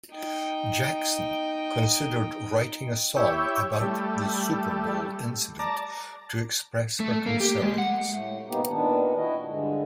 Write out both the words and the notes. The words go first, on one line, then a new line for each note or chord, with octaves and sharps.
Jackson considered writing a song about the Super Bowl incident to express her concerns.
D#4 G5
E4 G4 C#5
G3 A3
D5 A5 A#5
A3
A#3
G4
G#3
F#5
A2 A3
G#2 B2 A#3 B3 D#4 G4
A#2 D#3 B3 D4
E4 F#4 D#5
G2 D3 G#3